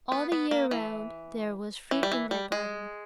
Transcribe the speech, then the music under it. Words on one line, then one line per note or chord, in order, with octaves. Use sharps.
All the year round there was fruit in that garden.
B3
B3
A#3
E3
E3
G3
E3
G3
G#3